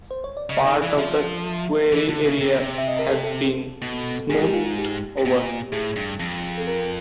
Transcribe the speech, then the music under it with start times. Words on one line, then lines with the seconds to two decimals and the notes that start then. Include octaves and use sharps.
Part of the quarry area has been smoothed over.
0.11 C5
0.24 C#5
0.37 D5
0.50 C#3 D#5
0.65 D#3 D5
0.81 E3 D5
0.97 F3 E5
1.93 E3
2.09 D3
2.25 C#3
2.41 C3
2.50 C#3
2.60 C3
2.78 E5
2.88 D#5
2.99 A#4
3.11 A4
3.23 A4
3.82 B2
4.30 G#2 G#4
4.42 G4
4.54 F4
4.65 F4
4.78 G4
5.25 A#2
5.73 A2 G#4
5.96 G2
6.20 F2
6.58 A4
6.67 A#4